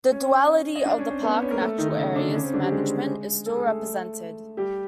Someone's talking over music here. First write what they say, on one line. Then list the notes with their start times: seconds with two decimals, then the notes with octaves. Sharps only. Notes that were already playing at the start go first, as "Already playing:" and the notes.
The duality of the park-natural area's management is still represented.
0.12 C#4 C#5
0.75 D#5
0.86 D4 D5
0.98 C#4 C#5
1.10 C4 C5
1.23 B3 B4
1.42 C#4 C#5
1.51 A#3 A#4
1.61 A3 A4
1.78 D#3 D#4
1.88 D#3 D#4
1.97 C#3 C#4
2.16 D3 D4
2.35 C#3 C#4
2.44 C4
2.53 D3 D4
2.63 G3 G4
2.72 G#3 G#4
3.46 A4
3.56 G#4
3.66 A3 A4
4.57 G3 G4